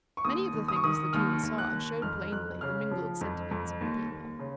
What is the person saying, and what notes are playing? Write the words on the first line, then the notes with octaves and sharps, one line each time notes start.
Many of the things the King saw showed plainly the mingled sentiments of the people.
C#6
D#2 D#6
D#3
D#6
C#6
D#3 D#6
D#2 F6
D#2
F#6
D#3
F2 F6
F2 F#6
C#3 F6
F3
F2
F2
D#2
D#2
C#3